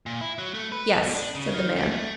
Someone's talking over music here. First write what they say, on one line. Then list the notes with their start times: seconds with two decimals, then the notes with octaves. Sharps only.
"Yes," said the man.
0.06 A#2
0.21 E4
0.38 F#3
0.54 A3
0.72 B4
1.03 B2
1.14 D4
1.35 C#3
1.54 D#3
1.76 G3
1.91 A3